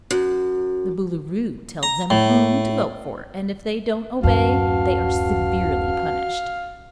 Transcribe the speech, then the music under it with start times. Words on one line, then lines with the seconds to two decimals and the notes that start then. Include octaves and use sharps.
The Boolooroo tells them whom to vote for, and if they don't obey they are severely punished.
0.11 F#2
1.83 A#5
2.10 A2
4.23 D1 F#2 C#4 F#4 B4 F5 A5